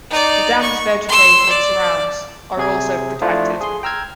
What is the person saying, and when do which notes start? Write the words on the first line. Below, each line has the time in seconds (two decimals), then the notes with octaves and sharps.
The dam's vegetated surrounds are also protected.
0.10 D#4 D5
0.62 C#6
1.08 C6 E6
1.49 D5
2.57 C3 G#4 G#6
3.21 F3 A3 D4 E4 F4
3.61 G#4 C6
3.83 G5 A#5 E6 F6 G#6